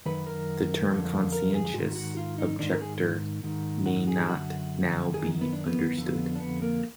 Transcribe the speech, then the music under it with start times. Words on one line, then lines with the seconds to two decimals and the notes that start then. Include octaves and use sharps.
The term conscientious objector may not now be understood.
0.06 F#2 D#3 B4
0.27 A#4
0.91 F2 D3
1.32 A#4
1.54 G#4
1.74 G#2 D#3 F#4
1.95 F#4
2.17 F4
2.38 D#4
2.59 G#2 D#3 D4
2.70 A#4
2.81 G#4
3.43 G#2 D#3
3.86 F#4
4.08 G#4
4.29 F#2 D3 F#4
5.13 F#2 D#3 G#4
5.41 B3
5.53 D4
5.66 B3
5.98 F2 D3
6.36 D4
6.40 B3
6.62 A#3